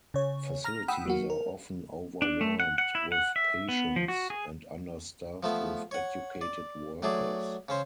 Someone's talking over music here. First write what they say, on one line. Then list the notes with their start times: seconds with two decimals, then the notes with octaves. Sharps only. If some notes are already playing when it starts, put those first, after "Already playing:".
Facilities are often overwhelmed with patients and understaffed with educated workers.
0.14 C#3 C#5
0.64 A#5 F6 A#6
0.88 F#5 G5 B5 D#6 E6
1.06 F#3 A#3 F#4
1.30 A#4
2.22 D4
2.41 A3
2.60 F#5
2.78 F#5
2.95 E4
3.12 F#5
3.36 E5
3.69 B3
3.96 F3
4.08 F#4
4.30 G#4
5.43 F3 A3 B3
5.91 C#5 F#5
6.41 D5
7.02 F#3 A3 G#4 D5
7.69 C#3 C#4 C5